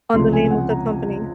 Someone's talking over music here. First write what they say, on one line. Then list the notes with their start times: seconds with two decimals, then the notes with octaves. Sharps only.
on the name of the company.
0.13 C#2 C3 F3 G#3 C6
0.33 G#5
0.50 F#5
0.70 A#5